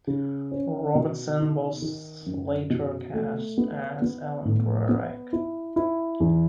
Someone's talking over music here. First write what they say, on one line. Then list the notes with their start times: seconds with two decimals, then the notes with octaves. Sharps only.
Robinson was later cast as Elim Garak.
0.07 C#3
0.52 C#4
0.95 B2
1.39 D#4
1.82 D#3
2.26 F#2
2.70 B2
3.14 A3
3.58 B3
4.02 B3
4.45 A2
4.89 B3
5.33 E4
5.76 E4
6.20 E2